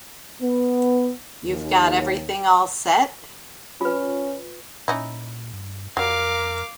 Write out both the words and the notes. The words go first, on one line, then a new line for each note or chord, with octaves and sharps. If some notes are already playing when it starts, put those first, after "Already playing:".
You've got everything all set?
B3
D#2
C#4 F4 B4
A#2 C#4 D#4 E4
G2
F2 F#3 G3 A#4 F5 D6